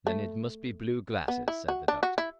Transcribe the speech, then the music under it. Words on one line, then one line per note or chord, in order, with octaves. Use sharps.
"Then it must be blue glasses," said the doctor.
A3
B3
E4
F#4
D4
F#4
E4